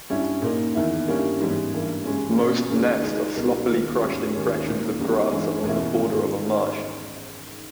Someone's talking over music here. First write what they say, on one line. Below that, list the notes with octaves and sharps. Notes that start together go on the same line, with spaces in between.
Most nest are sloppily crushed impressions of grass along the border of a marsh.
G2 G3 C#4 E4
A#2 A#3 D#4
E2 D#3 A#3 E4
G2 G3 A#3 C#4 E4
G#2 E3 G3 B3
G2 E3 A#3
C#3 G#3 C#4
B2 A#3 C#4
D#2 C#3 G#3 D#4
C#3 G#3 D#4
C#2 B2 G3 A#3
D#2 D#3 G3
G#2 G3 C#4
D#2 D#3 G#3 C#4
A#2 A#3 D#4
E2 C#3 G3 B3 D#4
G2 E3 G#3
E2 B2 A#3 C#4 E4
G#2 D#3 A#3